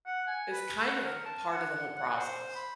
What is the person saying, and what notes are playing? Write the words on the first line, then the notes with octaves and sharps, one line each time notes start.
is kind of a part of the whole process.
F#5
G#5
B4
F#5
A#4
A5
F#5
F#5
C5
B5